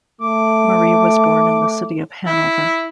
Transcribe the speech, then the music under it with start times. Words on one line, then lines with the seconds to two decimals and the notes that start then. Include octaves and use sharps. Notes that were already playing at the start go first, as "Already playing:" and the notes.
Marie was born in the city of Hanover.
0.21 A3 D6
2.26 E4